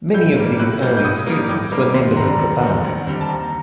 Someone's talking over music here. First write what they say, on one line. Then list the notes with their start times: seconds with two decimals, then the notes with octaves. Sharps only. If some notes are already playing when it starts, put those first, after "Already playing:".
Many of these early students were members of the bar.
0.14 A2 G6
0.37 G3 A#3
0.59 A2 F#6
0.82 G3 A#3 G6
0.97 G6
1.04 A2 D#6
1.27 G3 A#3
1.49 A2 D6
1.72 G3 A#3
1.94 D#2 C6
2.16 D3 G3 C4 A#5
2.39 D#2
2.62 D3 G3 C4
2.85 D#2
3.07 D3 G3 C4
3.21 A5
3.29 D#2 A#5